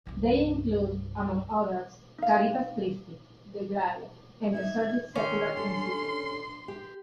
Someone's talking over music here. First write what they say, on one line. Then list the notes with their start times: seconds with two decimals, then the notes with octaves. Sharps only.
They include, among others, Caritas Christi, The Grail, and the Servite Secular Institute.
0.07 C2 G2
2.18 D#4 F5
4.54 D#4 E5 G#6
5.16 D#3 C#4 D4 C6
5.57 G4 A4
6.68 G4